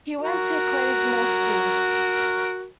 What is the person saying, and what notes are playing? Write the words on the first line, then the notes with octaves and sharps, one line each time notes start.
He went to Clayesmore School.
F#4 A#4